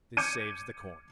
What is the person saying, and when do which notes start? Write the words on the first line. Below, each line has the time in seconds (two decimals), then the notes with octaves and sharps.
This saves the corn.
0.17 D6 G6 G#6 C#7 D#7